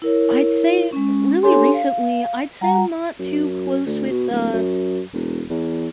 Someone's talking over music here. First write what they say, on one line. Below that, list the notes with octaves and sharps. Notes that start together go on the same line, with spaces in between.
I'd say Really recently, I'd say I'm not too close with, uh,
E4 A#4 C#5
G#3 C#4
D4 G4 A4 C#5 G#5 C6
F5
G3 F#5 A#5
F#2
D2
B2
D1
F#2
E1
E2